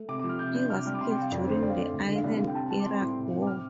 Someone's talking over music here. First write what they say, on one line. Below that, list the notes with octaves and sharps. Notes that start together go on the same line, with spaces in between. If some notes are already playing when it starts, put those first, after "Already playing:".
He was killed during the Iran-Iraq War.
Already playing: A3
C3 D6
D6
F3
F6
C3 G6
D4 G6
C3 F6
D6
G3 F6
D6
C3 C6
G5
C3
F5
F2 D5
D3 C5
C4 D5
F5
A3 D5
D2
D3
F5
C2 D5
C2 F5
G5
C4 A5
G3 A5
D6
C4 C6
A2
C3
C4
D6
C4 F6